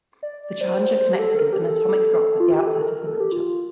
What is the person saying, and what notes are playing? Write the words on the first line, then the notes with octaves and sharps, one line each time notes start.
The challenger connected with an atomic drop at the outset of the matchup.
D5
C5
C5
G4
A4
A4
A#4
G4
A4
F4
G4
A4
A#4
A4
G4
F4